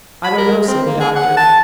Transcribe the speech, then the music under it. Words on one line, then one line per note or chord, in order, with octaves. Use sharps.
"I don't know," said the doctor.
B5
A#4
C4
A#3
G#4
F#5
A5